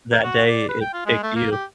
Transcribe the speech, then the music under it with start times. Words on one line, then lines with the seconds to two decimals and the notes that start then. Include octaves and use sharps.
that day it picked you.
0.12 A#4
0.24 F#4
0.48 D5
0.69 B4
0.81 G5
0.94 F4
1.06 G#3
1.23 A3
1.36 A#3
1.52 G4